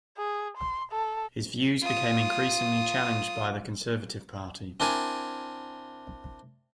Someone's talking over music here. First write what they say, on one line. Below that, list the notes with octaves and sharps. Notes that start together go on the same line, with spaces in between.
His views became increasingly challenged by the Conservative Party.
G#4
C6
A4
F4 D#6
C4 D4 E4 A#4 G#5